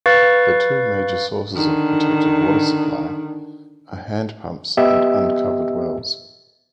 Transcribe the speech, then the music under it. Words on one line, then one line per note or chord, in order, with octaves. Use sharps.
The two major sources of protected water supply are hand pumps and uncovered wells.
B4 F5 C#6 A6
D3 D#3
B3 G4 D#5 E5 E6